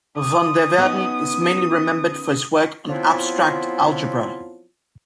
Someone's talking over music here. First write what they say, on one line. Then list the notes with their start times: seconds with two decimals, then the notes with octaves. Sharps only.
Van der Waerden is mainly remembered for his work on abstract algebra.
0.18 D#6
0.78 B3 C#4 D#4
2.89 F3 F#3 B3 C4 E4 F4